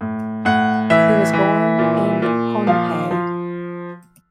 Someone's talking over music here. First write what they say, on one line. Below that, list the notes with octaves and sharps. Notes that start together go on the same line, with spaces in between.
He was born in Pohnpei.
A2
A2 F#5
E3 E5
E3
A#2
A#2
F3 F5
F3